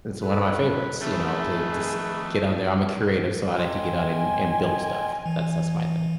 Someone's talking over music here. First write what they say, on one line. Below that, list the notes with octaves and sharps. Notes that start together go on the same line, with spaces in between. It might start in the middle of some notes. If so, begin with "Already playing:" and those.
it's one of my favorites, you know, to to s get on there, I'm a creative, so I like to get on and and build stuff, that's that's my thing,
A4 B4
F2 D#3 A3 G#4 B4
D#5 G5 G#5 C6
E3